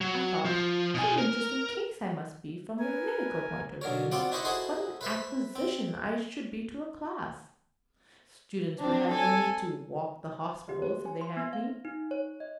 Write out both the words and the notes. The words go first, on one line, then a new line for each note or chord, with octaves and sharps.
I thought what an interesting case I must be from a medical point of view, what an acquisition I should be to a class! Students would have no need to "walk the hospitals," if they had me.
F#3
F3
B2 G#5
A#4
A#4 B4 G#5
B1 D3 A#4 C#5
B3 C4 F4 F#4 D5 F#5
D#4 E4 B4 C5 D#5 C#6
E4 F#4 G#4 A4 C5 D#5
B4 C5 E5
C4
C4 D4
A4 G#5
G4
C#5
G#5
C6
B3
F5
D#4
C#5
D#5